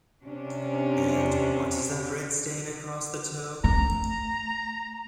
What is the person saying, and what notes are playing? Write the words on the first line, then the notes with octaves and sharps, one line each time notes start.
And what is that red stain across the toe?
C3 C#4 D4
A3 A#5